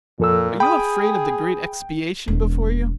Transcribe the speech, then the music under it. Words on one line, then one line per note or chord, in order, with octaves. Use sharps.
Are you afraid of the great expiation before you?
F2 A#2 A4 E6
G#4 G5 B5 D#6
E1